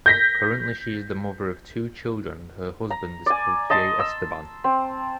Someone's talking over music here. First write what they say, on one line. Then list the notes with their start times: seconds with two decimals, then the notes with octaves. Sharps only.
Currently she is the mother of two children and her husband is called Jay Esteban.
0.06 G6 A#6 B6
2.91 A#5
3.26 D5 G#5
3.70 D#5 A5 C6
3.99 E6
4.64 C4